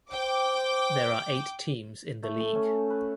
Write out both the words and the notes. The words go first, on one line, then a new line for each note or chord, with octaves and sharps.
There are eight teams in the league.
C5 G5 D6
A3
A4
C#4
B4